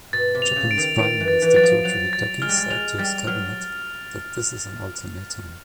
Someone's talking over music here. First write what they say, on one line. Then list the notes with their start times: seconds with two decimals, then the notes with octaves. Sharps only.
Japanese Prime Minister Tojo Hideki said to his cabinet that this is an ultimatum.
0.13 B2 A6
0.35 C3
0.42 F7
0.56 C#3
0.71 D7
0.77 D#3
0.98 D#3 D7
1.20 E3
1.28 A6
1.42 E3
1.54 F#3 A6
1.63 F3
1.84 F#3 F7
2.13 A6
2.42 G#3 F6
2.49 G3
2.57 G#3
2.70 G#3 F7
2.99 G3 A6
3.27 F#3 F6